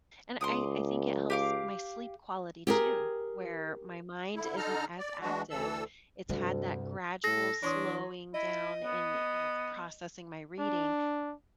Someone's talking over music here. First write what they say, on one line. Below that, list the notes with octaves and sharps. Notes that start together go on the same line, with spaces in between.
and I I think it helps my sleep quality too, where my mind isn't as active, it's had that gradual slowing down and, you know, processing my reading,
C#2 C6 D6 D#6
G4 F5 D6
G4 G#4 A#4
D3 E4
D3 D#4 A4 A#5 F6
D5
E3 G#3 D4 F#4
D2 E3 A4 E6
D2 G2 C3 G3
A2 A4 A#6
E3 D4 C#5 C6 D#6
E4 D#5
B3
D4